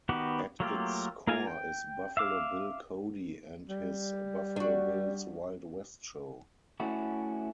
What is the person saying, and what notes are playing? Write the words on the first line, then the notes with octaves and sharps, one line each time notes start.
At its core is Buffalo Bill Cody and his "Buffalo Bill's Wild West Show".
D#3 B3 F#4 G4 B4
F#3 A3 A#3 F4 G4
A#3 F4 A#4 F5 G#5
G5
E5 F5 D6 F6
G3
D4 F#4
A3 C#4 E4 F#4